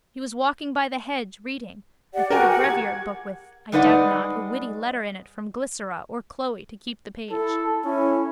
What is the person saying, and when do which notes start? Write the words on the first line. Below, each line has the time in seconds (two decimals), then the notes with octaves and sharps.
He was walking by the hedge, reading, I think a brevier book with, I doubt not, a witty letter in it from Glycera or Chloe to keep the page.
2.14 G4 D5 F#5
2.30 F#4 A#4 G5 G#5
2.48 F#5
2.64 G#6
3.72 G3 G#3 D#4 B4 D5 F#5
7.31 E4 A4
7.84 C#4 E4